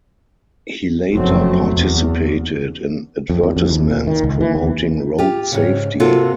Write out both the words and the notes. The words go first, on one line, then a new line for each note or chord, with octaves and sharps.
He later participated in advertisements promoting road safety.
F1 F#2 F#3 A3 C4
E2
F2
E2
F2
D#2
A#2
D#3
C#2
E3
D#2
F4 G4
G#2 C#3
C3 A#3 F4 F#4 A4